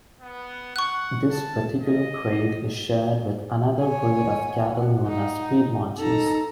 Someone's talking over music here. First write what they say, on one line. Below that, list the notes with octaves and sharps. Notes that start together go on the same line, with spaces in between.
This particular trait is shared with another breed of cattle known as Piedmontese.
B3
F#5 C#6 F#6
A5
D#5
C#5 G#5
F#5
D#4
D#4 A4 A#5